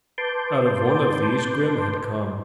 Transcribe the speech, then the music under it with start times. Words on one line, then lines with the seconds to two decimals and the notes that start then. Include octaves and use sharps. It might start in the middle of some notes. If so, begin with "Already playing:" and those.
Out of one of these Grim had come.
0.18 B4 A5 C6 D6 G6